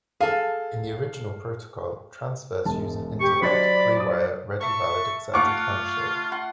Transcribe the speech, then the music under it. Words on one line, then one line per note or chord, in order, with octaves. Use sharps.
In the original protocol, transfers use an interlocked, three-wire "ready-valid-accepted" handshake.
G#4 A4 F5
E1 G#3 A5
G4 C#6
F#3 D4 G4 C5 D5 D#5 B5 A6
D6 D#6
A4 E5 C#6
A3 F4 F5 F#5 C#6 D6
F#5 C6